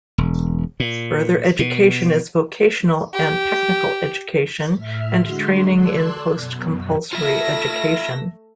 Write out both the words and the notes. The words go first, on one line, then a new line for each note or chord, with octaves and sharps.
Further education is vocational and technical education and training in post-compulsory education.
E1
A#2
B2
G4
A2 E5 F6
D3 G#3 F#4 C6
A4 D5 C6 E6 F#6 G#6
F#2 B2
A3 F4 E5 E6 A#6